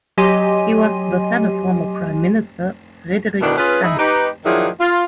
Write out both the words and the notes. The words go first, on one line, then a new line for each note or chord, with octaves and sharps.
He was the son of former Prime Minister Frederik Stang.
F#3 G4 D#5 G#5 C6 D#7
D2 B2 D#3 D4 E4
C#4 F4 G#4 B4
D#4 E4 G#4
D#4 G4 B4
D#3 F3 F#3 D4 E4 G#4
F4